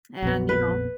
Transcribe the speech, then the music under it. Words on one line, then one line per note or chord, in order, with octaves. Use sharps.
And, you know,
A#1 F2 B3
B4